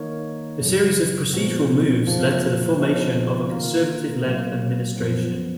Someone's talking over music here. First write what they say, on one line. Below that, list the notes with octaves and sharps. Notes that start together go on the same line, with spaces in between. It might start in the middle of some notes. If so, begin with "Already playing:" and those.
A series of procedural moves led to the formation of a Conservative-led administration.
Already playing: D#3 A#3 D#4 A#4 C#5
F#2 C#3 F#3
A#2 F3 B3 F#4
F#2 C#3 F3 A#3 F4
C#3 F3 B3 D#4
D#3 A#3 F4 A#4
B2 F#3 A#3
F#2 F3 B3